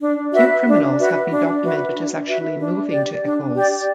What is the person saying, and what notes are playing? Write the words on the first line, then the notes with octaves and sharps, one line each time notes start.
Few criminals have been documented as actually moving to Echols.
D4
F#4 B4 E5
D4
F#4 B4 E5
D4
F#4 B4 E5
D4
F#4 B4 E5
D4
G4 D5
D4
G4 D5